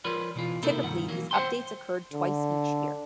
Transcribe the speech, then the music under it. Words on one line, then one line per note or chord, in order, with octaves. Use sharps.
Typically, these updates occurred twice each year.
F3 F4 A#4 B4 C#5 D5
B2 E3 F4
C3 A#3 D#4 E4 A4 A#4
B1 G2 D#3 F#5
E3 F#3 A#3
C5 F#5 G5 C6
D3